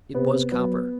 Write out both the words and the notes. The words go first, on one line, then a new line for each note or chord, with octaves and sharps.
It was copper.
C3 B3
F#3 B3